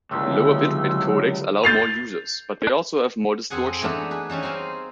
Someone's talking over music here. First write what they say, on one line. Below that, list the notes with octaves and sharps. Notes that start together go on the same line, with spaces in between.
Lower bitrate codecs allow more users, but they also have more distortion.
C#2 D3 F#3 G3 A#3 E4 E6
G6 A6 C7 F7
F2 C4 G#4 F#5 G#5
E3 A3 B3 D4 D#4
G#4 B4
E3 G3 C#4 D#4
C4 C5 F5 G5 G#5